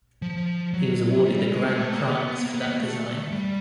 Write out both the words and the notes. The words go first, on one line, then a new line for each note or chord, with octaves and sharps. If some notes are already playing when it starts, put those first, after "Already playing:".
He was awarded the Grand Prize for that design.
F3
F#3
G3
G#3
A3
A#3
B3
B3
A#3
B3
A#3
A3
G3